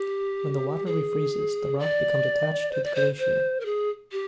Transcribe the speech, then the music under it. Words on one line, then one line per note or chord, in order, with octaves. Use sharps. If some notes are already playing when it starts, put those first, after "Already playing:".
When the water refreezes, the rock becomes attached to the glacier.
Already playing: G4
G#4
D5
C5
D5
C5
C5
A#4
G#4
G4